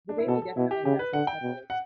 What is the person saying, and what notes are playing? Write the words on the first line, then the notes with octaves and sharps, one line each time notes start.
The baby definitely has the sniffles.
D4
E4
B2 A4
A4
B2 E4
G4
C#3 G4
B4
D3 F#5
G5
B2
F#5